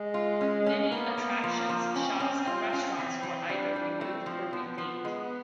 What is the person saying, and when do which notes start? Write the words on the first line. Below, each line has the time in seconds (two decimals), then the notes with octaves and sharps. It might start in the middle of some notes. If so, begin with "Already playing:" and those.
Many attractions, shops, and restaurants were either removed or rethemed.
Already playing: G#3
0.14 F4
0.41 C#4
0.66 C#4
0.92 A#3 B3
1.17 B3
1.44 F3
1.69 F3
1.94 C4 C#4
2.20 C#4
2.47 F4
2.73 C#4
2.98 E3 C4
3.23 E3
3.49 G3 D4
3.76 G3
4.01 A3 C4
4.26 F3
4.52 F3 B3
4.78 F3
5.05 G#3